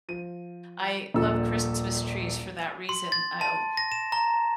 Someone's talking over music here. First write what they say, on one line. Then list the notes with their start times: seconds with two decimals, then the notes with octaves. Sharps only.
I love Christmas trees for that reason, I'll
0.08 F3 D#7
1.14 D#1 A#1 A#2 F4 A4 E6
2.89 C6
3.12 A6
3.41 A5
3.77 A#6
3.92 E7
4.12 A#5